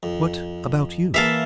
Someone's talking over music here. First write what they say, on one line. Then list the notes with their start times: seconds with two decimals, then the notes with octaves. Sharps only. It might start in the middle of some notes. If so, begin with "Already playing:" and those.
What about you?
0.03 F2
1.14 E3 A#3 E5 F5 A5